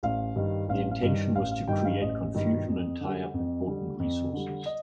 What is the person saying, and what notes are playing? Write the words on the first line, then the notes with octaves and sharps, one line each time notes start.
The intention was to create confusion and tie up important resources.
A1 F5
G2 D#3 G3
A1 F5
F5
G2 D#3 G3
A1 F5
F5
G2 D#3 G3 G5
F5
A1 D#5
G2 D#3 G3
F2
D3 G3
F2
D3 G3
F2
D3 G3
D#5